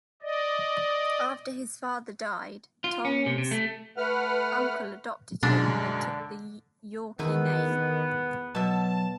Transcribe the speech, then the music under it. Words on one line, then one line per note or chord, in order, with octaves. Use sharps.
After his father died, Tom's uncle adopted him and he took the Yawkey name.
D5 D#5
F4
C#4
C3
C3
A3
A3 B4 F#5 F6
F#2 B2 D3 G#3 D4
E2 D#3 B3 E4 B4
B2 F#3 E5 A5